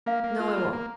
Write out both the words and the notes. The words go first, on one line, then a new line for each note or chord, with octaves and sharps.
No, I won't.
A#3 F5
A#3
F4
A#3
A#3 A#5